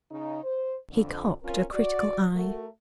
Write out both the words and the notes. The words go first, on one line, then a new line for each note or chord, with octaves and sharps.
He cocked a critical eye.
C#3 D#4
C5
F2 D3
C4 C#4 F4 A#4
F#4 D5
A3 F#4 A#4